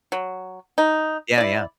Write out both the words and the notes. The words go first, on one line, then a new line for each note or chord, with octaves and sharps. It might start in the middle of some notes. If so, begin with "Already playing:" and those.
Yeah, yeah.
F#3
D#4
E4 D5